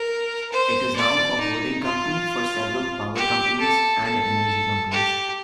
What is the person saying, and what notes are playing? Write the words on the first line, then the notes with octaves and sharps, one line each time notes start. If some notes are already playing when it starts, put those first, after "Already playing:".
It is now a holding company for several power companies and energy companies.
Already playing: A#4
C5
D5
D#4
F4
G4
A4
A4
G4